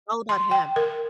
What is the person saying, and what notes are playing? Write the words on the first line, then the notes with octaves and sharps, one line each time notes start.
It's all about him.
C6
G5
A#4